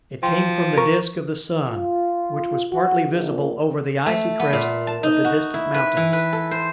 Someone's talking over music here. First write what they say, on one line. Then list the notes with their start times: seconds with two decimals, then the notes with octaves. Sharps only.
It came from the disk of the sun, which was partly visible over the icy crest of the distant mountains.
0.23 F3 G5 C6
0.78 A#4 C#6
1.69 F4
2.72 F#4
3.11 A#1
4.06 A3
4.39 B3
4.53 A#2
4.87 A5
5.03 D#4
5.25 F#4
5.54 E4
5.74 B4
5.97 E3
6.13 B4
6.33 A4
6.51 C5